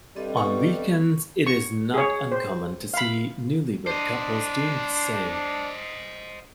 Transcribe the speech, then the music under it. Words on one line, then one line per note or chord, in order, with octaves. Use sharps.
On weekends it is not uncommon to see newlywed couples doing the same.
G2 G3 C4 A4 D#5
B3 C#6
C#6
G#4 C#5
C5
F5 B5
D4 C5 D#5